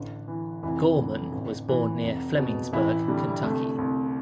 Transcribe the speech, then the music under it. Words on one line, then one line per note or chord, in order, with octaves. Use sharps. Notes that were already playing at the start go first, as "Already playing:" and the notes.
Gorman was born near Flemingsburg, Kentucky.
Already playing: A1 D3
E3
F1 E3 E4
D3
A1
E3
F1
B2
A1 E3 E4
D3 G3
C2 A3
C2